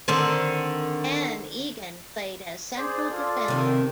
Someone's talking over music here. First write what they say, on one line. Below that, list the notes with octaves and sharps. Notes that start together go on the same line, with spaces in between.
Dan Eggen played as central defender.
D3 D#3 C4
G#4 C5 D5
F4 A4 D5
C3 D#3